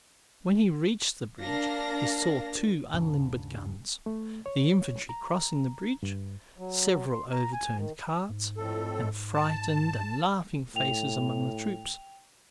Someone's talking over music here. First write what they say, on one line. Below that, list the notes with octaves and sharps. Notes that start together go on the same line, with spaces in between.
When he reached the bridge he saw two unlimbered guns, the infantry crossing the bridge, several overturned carts, and frightened and laughing faces among the troops.
A#3 D4 F5 A#6
D#2 G#2 C#3 D4
A3
C#5
A#5
G2
F#3
C6
A#5
G#5
D#3
G#2
F2 A2 A4
A5
A2 G5 F7